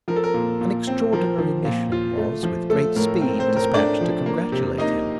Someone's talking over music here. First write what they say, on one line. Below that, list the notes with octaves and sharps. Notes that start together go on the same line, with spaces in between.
An extraordinary mission was, with great speed, despatched to congratulate him.
F3 A#4
A4
A#4
A#2
A#2
C4
F3 A#4
F3
A#2
F4
A3
F3
A3 A4
A2 A#4
C4 A#4
C4 C5
A2
A#4
A3 D4 D5
F3
A#3
C3
A#3 D#4 D#5